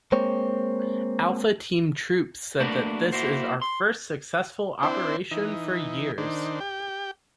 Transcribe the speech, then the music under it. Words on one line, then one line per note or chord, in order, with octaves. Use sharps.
Alpha team troops said that "this is our first successful operation for years".
G#3 A#3 C4 C5 C#5
A3 A#3 D4 F#4 A#4 B4
A#3 E4 F#4 C5
C6
C4 D4 E4 C5
E3 D#4
D#3 D4 C5
G4 G5